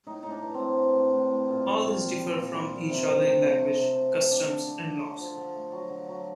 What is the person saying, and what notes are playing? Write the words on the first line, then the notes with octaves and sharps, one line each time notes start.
All these differ from each other in language, customs and laws.
A2 D#4
A2 D#4
D4
E3
C4
A2
E3
A2
A2
A2
A#2
G3
A#2
A#2
G3
A#2
G3
A#2
C3
C3
A3
C3
A3
C3
C3
A3
D3 D4
D3
D3
D3
D3
F3
D3
A3
F#3
D3
F#3